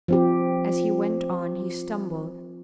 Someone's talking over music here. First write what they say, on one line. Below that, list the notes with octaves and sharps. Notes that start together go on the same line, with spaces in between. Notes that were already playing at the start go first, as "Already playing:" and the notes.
As he went on he stumbled.
F3 C4 G4